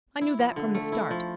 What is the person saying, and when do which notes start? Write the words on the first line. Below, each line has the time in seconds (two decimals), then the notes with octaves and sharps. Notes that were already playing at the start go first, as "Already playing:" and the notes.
I knew that from the start.
0.21 E4
0.39 F3
0.56 D3
0.74 A3
0.92 E4
1.11 F3